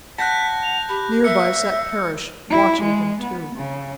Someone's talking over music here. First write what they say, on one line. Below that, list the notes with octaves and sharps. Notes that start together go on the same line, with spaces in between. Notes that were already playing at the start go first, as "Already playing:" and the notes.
Near by sat Parrish, watching him too.
F#5 A5 F#6 G6 A#6 B6
F7
G4 B5
E5 E6 C#7
E4
G#3
B3
C#3